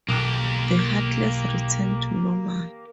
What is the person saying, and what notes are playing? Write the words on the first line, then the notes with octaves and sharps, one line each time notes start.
The Heartless return to normal.
B1 A#3 G4